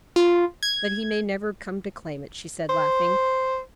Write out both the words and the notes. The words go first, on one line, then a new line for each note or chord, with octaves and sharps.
"But he may never come to claim it," she said, laughing.
F4
G#6
C5